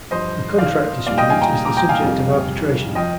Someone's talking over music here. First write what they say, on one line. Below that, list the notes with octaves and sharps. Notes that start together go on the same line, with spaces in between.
The contract dispute is the subject of arbitration.
G2 F3 C5 D#5
D5 F5
A#2 G3 D5 F5
D#5 G5
F5 G#5
G5 A#5
A#5 D6
G5 A#5
F5 G#5
F2 C3 G3
F3 D#5 G5